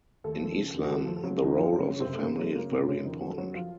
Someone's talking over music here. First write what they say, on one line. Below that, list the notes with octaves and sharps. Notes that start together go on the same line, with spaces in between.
In Islam, the role of the family is very important.
D#2 A3 A4
F3
C#3
D#2
F#4
D#2 A3 A4
F3
A4
C#3 F#3 F#4
D#2 D#4
F#2 F3 F4
F#3
C#3 C#4
C#3
C3 C4
F#2
A3
F#2 A#3
F#3 A3
C#3 A#3
F#2 C3 C4
F#2 C#3 C#4
D#3 F3 D#4
C#3 F#3 F#4
A4
F#2 F#3 F#4
F3 F4